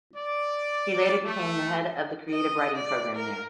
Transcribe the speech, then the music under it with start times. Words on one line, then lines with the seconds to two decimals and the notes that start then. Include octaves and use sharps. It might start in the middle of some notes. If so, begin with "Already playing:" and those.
He later became the head of the creative writing program there.
0.16 D5
1.25 A3
2.31 D#5
2.76 D5
3.16 A#4